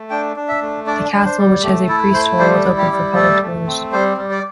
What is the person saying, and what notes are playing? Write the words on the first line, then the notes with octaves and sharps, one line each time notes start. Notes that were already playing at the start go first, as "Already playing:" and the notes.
The castle, which has a priest hole, is open for public tours.
Already playing: A3
D4 G5
D4
E5
A3
D4 D5
D4
C5
G3
A3 G4
E4 A4
A3 C5
G3 C5
E4
G4
G3
A3 A4
A3
C4
G3 C5
G3
D5